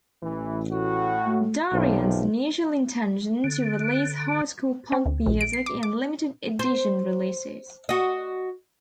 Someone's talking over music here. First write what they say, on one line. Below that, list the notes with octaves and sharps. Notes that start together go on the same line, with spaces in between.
Dorrian's initial intention to release hardcore punk music and limited edition releases.
A1 E3
A2 F#4
A3
B1 F#2 C3 F3
D3
C4
D2
A#1
D7
C7
D6
D6
C5
F#4 D#5